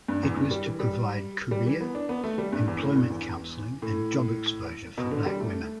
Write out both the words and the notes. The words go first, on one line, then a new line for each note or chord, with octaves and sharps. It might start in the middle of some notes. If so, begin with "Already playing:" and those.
It was to provide career, employment counseling, and job exposure for black women.
G2
E2
G2
G3
E3
G3
G3
E3
B3
D4
B3
A3
G3
G2
E2
A2
G2
E2
A2
B2
D3
G3
A3